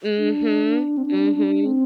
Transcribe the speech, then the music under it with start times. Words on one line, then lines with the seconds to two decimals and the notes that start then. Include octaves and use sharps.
Mhm. Mhm.
0.18 D4
0.98 C4
1.06 D4
1.36 D4
1.65 C4